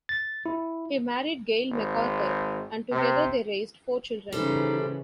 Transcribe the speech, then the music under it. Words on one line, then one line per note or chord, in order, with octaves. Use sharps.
He married Gayle MacArthur and together they raised four children.
A6
E4
G#1
C3
C#3 E3 G3 D#4 A4 C5